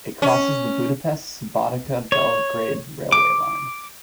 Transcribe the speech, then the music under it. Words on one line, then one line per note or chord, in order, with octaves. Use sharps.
It crosses the Budapest-Subotica-Belgrade railway line.
C#4
C#5
D6